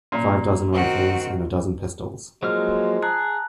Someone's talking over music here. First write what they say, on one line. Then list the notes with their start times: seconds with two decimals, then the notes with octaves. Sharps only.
Five dozen rifles and a dozen pistols.
0.12 A#2
0.73 D#3 C4 F#4
2.43 F3 F#3 G#3 A#3 F6
3.03 G#4 A5 A#5 F#6